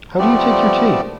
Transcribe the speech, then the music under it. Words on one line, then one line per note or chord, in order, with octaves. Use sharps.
How do you take your tea?
F3 G3 A3 B3 C4 D5